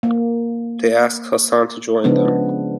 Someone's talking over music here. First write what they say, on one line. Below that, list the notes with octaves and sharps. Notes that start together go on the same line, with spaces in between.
They asked Hassan to join them.
A#3
C#3 F3 G#3 B3 D4